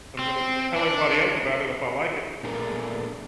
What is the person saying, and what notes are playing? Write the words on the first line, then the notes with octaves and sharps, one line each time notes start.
I'm gonna tell everybody else about it if I like it."
C4
D4
A#2 A3 B3 D4 G#4 A#4